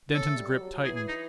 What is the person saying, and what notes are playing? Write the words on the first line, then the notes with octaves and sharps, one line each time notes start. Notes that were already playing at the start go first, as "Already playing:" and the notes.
Denton's grip tightened.
C#4 A4
A3
G3
G3
F#3
F#3
E3 G#4
G#4
D#4